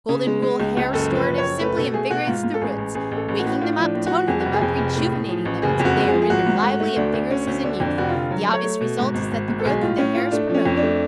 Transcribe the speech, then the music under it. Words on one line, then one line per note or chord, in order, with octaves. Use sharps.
Golden Rule Hair Restorative simply invigorates the roots--waking them up--toning them up--rejuvenating them until they are rendered lively and vigorous as in youth, The obvious result is that the growth of the hair is promoted.
C#3
G#3
G#3
C#2
C#2
F#1 A4
F3 B4
F#1
F#1 C#5
A3 B4
B2 A4
A3 G#4
B2 F#4
G#2 F4
G#2
A4
A1 G#4
A1
A1 G#4
A1
A4
A1
A2 F#4
A2 F4
F4
F3 D4
A2
F3 F#4
F2 G#4
F#4
F1
G#4
F2
F1
A2
A2
F3
A1
F#1 G#4
F2
F#4
G#3
G#4
F3
G#4
G#1 F#4
G#2
A3
A3
D2 D4
D2
D3 C#4
D2
D3 D4
F2
D4
F1 F#4
D3 F4
F#3
A3
C#5
A3
B2
G#2
G#1
G#1
G#2
A4
B1 G#4
A2 F4
A2 C#4
A2 F4
A3 D4
F3
C#4
F2
D4
A3